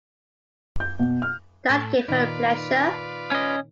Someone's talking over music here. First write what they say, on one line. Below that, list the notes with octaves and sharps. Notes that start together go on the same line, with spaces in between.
That gave her pleasure.
G6
B2
F6
A2
A#2 D#3 D#4 F4 B4 D5
C#4 D#5